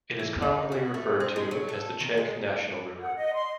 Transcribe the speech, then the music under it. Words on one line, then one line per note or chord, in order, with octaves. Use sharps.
It is commonly referred to as the "Czech national river".
E3
D#4
F#4
A3
C4
G#3
F#3
A4
D#3
G#3
F#5
D#5
C6